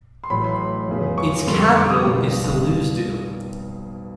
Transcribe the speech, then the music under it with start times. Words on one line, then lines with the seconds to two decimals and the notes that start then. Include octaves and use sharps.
Its capital is Thulusdhoo.
0.24 C6
0.30 A1 A2 F#3 B5
0.44 C6
0.88 F1 E2 C#3 F#3
1.18 C#6
1.47 F2 D3 G3 A#3 C6
1.61 C#6
1.76 D6
1.90 D#6
2.06 B1 B2 G3 A#3